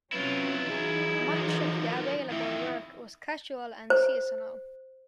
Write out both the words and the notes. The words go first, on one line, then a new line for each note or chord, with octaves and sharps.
Much of the available work was casual and seasonal.
C3 F#3 C#4 E4 F4 B4
E3 F#3 D#4 G#4
D3 F3
A#4
F2 D#3 E4
C5